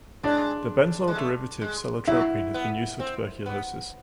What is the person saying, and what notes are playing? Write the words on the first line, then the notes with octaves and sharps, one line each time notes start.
The benzoyl derivative cellotropin has been used for tuberculosis.
G#3 D4
G#3
A3
G#3
F#3 E4
B3
C4
B3